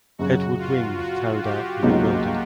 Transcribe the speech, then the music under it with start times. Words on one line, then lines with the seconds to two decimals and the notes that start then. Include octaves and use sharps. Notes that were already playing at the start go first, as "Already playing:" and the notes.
Edward Wing carried out the rebuilding.
0.18 F#2 C#3 F#3 F#4
0.60 F4
1.01 F#4
1.42 G4
1.83 C#2 B2 F#3 A#3 D#4